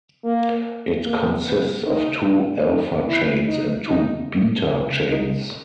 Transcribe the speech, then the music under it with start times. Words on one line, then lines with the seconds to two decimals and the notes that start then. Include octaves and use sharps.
It consists of two alpha chains and two beta chains.
0.24 A#3
1.06 A#3
1.45 B3
1.86 D#4
2.68 D#4
3.07 E4
3.48 D#4
3.88 D#4
5.09 D#4